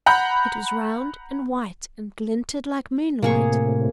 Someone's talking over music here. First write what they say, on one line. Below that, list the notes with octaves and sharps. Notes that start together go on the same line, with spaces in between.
It was round and white and glinted like moonlight.
F#5 A#5 B5 G6
A2 C3 A#3 G#4 C#6